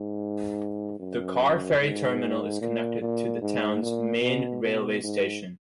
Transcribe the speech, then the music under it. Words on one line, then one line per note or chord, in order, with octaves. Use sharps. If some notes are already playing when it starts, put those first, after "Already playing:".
The car ferry terminal is connected to the town's main railway station.
Already playing: G#2
F#2
G#2
A#2
A#2
G#2
A#2
B2
B2
G#2